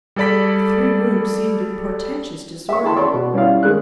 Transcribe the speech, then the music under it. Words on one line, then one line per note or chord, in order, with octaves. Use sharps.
The three rooms seemed in portentous disorder.
G3 G#4 A4 D5 B5 B6
E5 C#6
E4 G#4 G5 A5 B5 C6
C#5 D5 C6 C#6
B2
G3 C#4 E4 F4 D5 F5
D#3 G#3 G#4 F#6